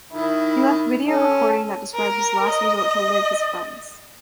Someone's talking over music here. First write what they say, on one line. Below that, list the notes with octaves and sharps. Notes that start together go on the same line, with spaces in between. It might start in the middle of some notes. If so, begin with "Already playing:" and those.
He left video recording that describes his last resort to live his friends.
D#3 E4
C#4 A4
A#4
D#5